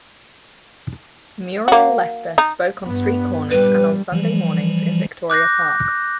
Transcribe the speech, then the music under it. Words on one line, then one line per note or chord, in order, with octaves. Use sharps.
Muriel Lester spoke on street corners and on Sunday mornings in Victoria Park.
A#3 F#4
D#4
G2 B3
G2 A#2 G3 B4
E3 F3 G3
D6 F#6 G6 A#6